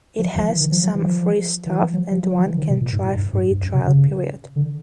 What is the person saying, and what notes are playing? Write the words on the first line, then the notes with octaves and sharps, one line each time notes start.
It has some free stuff and one can try free trial period.
F3
F3
E3
D#3
F3
F#3
E3
F3
E3
F3
F#3
F3
F#3
F3
E3
D#3
B2
A#2
G#2
A2
G2
G#2
G2
F#2
C3
C#3
D3